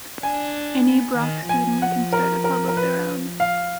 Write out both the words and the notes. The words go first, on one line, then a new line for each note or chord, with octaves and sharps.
Any Brock student can start a club of their own.
D4 G#5
B3
D#3
F3 G#5
F#5
A#4
A#4
A#4
B4
F5